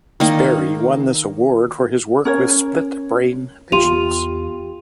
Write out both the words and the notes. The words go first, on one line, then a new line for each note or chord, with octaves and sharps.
Sperry won this award for his work with "split-brain" patients.
D#3 A#3 D#5
C#4 A#4 C#5
E2 F4 G4 C6 D#7 F7